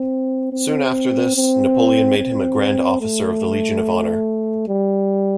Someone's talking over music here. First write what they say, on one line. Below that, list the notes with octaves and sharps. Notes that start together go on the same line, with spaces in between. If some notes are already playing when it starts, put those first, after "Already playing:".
Soon after this Napoleon made him a grand officer of the Legion of Honor.
Already playing: C4
C4
C4
C4
A3
G3